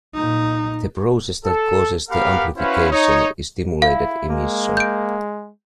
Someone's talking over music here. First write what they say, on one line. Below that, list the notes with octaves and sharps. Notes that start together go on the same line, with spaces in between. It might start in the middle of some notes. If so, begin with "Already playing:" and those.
The process that causes the amplification is stimulated emission.
A#2 D#4
A4
B3 G4 A#4 F5 F#5 B5
C#4 E4 F#4 B4 C5 F5
D#4 C#5
E4 F5
G#3 A#3
G6 D7